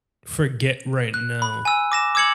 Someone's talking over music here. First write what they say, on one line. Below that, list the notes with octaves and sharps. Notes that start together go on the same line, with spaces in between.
forget right now.
F#6
B5
G#5 E6
D6 A#6 E7
D6 E6 G#6 C#7 F#7